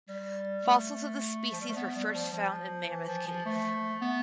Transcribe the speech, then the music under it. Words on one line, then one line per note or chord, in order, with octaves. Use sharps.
Fossils of this species were first found in Mammoth Cave.
G3
A3
F3
G3
A3
B3
G3
F3
F3
E3
F3
F3
A3
B3